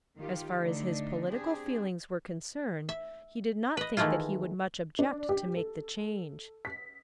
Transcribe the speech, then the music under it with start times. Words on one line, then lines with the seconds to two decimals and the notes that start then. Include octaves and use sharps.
As far as his political feelings were concerned he did not think that he would much object to make the change.
0.18 D#3 F4 G4
0.57 D3 A3 D4 D#4
1.27 C4 D4 G4 G#4
2.89 E5
3.77 B4 D#5
3.97 D#3 E3 G#3 A3 E4 F4
4.99 D4
5.29 G4
5.56 A4
6.65 B6